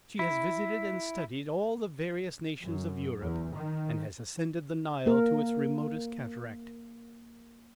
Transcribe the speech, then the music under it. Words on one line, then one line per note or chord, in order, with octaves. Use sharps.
She has visited and studied all the various nations of Europe, and has ascended the Nile to its remotest cataract.
E4
F#2
E2
D#3
A#3 A#4